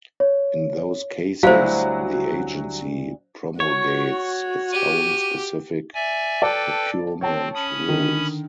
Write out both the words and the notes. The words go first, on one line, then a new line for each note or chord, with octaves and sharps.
In those cases, the agency promulgates its own specific procurement rules.
C#5
D2 F#3 G3 E4 C5 F5
F#4 C#5 C#6
G4 D#7
D5 E5 G#5
A4 B4 D5 G5 A5
C4 C#5 G5 A5
C#4 B5 D#6
D3 D#3